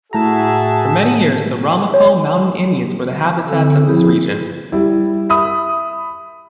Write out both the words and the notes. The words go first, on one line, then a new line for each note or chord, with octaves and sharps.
For many years the Ramapough Mountain Indians were the habitats of this region.
A2 F#4 G#4 E5 A5 A#5
C#5
D3 C4 A4
F3 E4 G#4
G3 E4
E5 B5 D#6